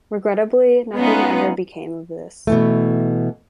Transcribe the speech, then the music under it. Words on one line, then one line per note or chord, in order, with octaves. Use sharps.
Regrettably, nothing ever became of this.
G#3 B3 C#4 D#4 F4 F#5
B2 E3 A3